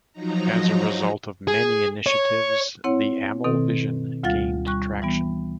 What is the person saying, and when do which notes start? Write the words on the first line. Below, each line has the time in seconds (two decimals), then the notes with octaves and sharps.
As a result of many initiatives the AmI vision gained traction.
0.13 F3 F#3 D#4 A#5
1.47 G#4
2.06 C#5
2.84 C4 E4 C#5 F#5
3.44 B2 D#3 C4 A4
4.23 D2 G3 F4 F5 F#5 A6
4.67 G3 C#6 F#6
5.02 E3 G3 B3